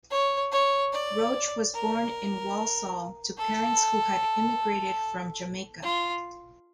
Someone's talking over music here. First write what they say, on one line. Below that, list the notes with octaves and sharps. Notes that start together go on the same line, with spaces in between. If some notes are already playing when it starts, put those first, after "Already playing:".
Roach was born in Walsall to parents who had immigrated from Jamaica.
C#5
C#5
D5
A#4
A4
F4